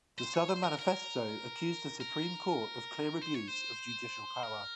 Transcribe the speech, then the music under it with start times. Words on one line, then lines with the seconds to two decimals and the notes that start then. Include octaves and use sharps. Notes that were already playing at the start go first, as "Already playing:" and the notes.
The Southern Manifesto accused the Supreme Court of clear abuse of judicial power.
0.19 C5
0.34 C#5
0.49 C5
0.64 A#4
0.79 A#4
2.00 A#4
3.21 C5
3.34 C#5
3.48 C5
4.43 A#4